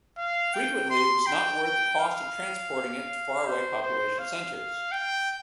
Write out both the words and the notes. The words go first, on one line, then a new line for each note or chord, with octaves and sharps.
Frequently it was not worth the cost of transporting it to far-away population centers.
F5
G5
C6
G5
G5
F5
C5
C5
F5
G5